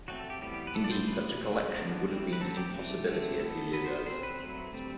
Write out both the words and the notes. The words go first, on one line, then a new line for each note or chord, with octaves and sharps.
Indeed such a collection would have been an impossibility a few years earlier.
F#3 A3 C4 F#4
A4
G4
E3 G3 B3 G4
B4
E3 B3 A4
D5
C5
E3 G3 B3 B4
F#3 A3 C4
D3 G3 B3
E3 G3 C4
B4
F#3 C4 A4
G4
E3 A3 C4
D3 F#3 A3 C4
E3 B3 A4
F#3 B3 B4
C5
C5
F#3 C4 C5
B4
F#3 A3 C4
D3 G3 C4